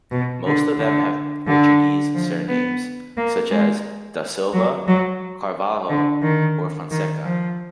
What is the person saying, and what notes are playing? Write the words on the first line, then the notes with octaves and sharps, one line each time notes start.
Most of them have Portuguese surnames, such as "da Silva", "Carvalho" or "Fonseca".
B2
D3
D3
D3
F3
B3
A#3
G#3
F#3
F#3
D3
D#3
D#3
F3